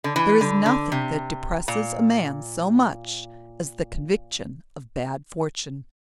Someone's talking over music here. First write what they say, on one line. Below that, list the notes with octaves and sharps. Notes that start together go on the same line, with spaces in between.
There is nothing that depresses a man so much as the conviction of bad fortune.
D3
E3
D3
D3
C3
A#2